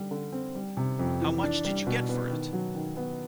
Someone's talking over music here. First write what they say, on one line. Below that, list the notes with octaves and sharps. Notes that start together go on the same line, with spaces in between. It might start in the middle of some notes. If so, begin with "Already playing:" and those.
How much did you get for it?
Already playing: D3 G3
D3
C4
G3
C3
F2
E3
D4
G3
B2
B3
D#3
F#3
D#3
B3